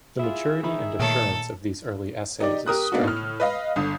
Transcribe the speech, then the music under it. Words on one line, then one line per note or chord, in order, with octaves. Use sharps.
The maturity and assurance of these early essays is striking.
E4 F4 G#4 E5
D#3 D#4 B5
A#2 D#3 A3 A4 C#5
D#4 G4 D5
G4 A#4 D#6 F#6
A#3 B3 D4 D#4 F#4
A2 F6
B4 D#5 F5
G1 D3 D#6